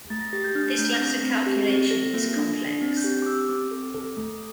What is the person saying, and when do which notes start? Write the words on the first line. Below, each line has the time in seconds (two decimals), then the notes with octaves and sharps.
This latter calculation is complex.
0.10 A3 A6
0.21 A#6
0.33 G4 A6
0.44 G6
0.55 D4 F6
0.78 A3 G6
1.01 C4 A#6
1.23 C4
1.46 G4
1.69 C4
1.91 A4 A#6
2.13 A#3
2.36 D4
2.59 D4
2.82 C4
2.97 G6
3.04 G4
3.22 D6
3.26 G4 E6
3.49 C4 D6
3.71 A4
3.95 A4
4.17 A3